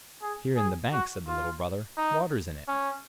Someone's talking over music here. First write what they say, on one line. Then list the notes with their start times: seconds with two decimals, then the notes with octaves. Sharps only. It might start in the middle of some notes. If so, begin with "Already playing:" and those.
"Here in the bank," said the little brother; "water's in it."
0.22 G#4
0.57 G#4
0.93 F#4
1.28 F4
1.97 D#4
2.68 C#4